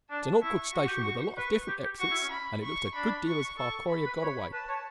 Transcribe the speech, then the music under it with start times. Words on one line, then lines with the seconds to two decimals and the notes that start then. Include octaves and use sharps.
It is an awkward station with a lot of different exits, and it looked a good deal as if our quarry had got away.
0.10 D4 A5
0.42 E4 C#6
0.74 F#4
0.88 G4
1.02 F#4
1.37 B4 C#6
1.68 G4
1.84 G4
2.00 F#4 C#6
2.11 E4
2.22 C#4
2.31 B5
2.63 C#6
2.95 D4 B5
3.27 C#6
3.58 A4 C#6
3.90 B5
4.06 B4
4.22 C#5
4.53 B4 A5
4.69 C#5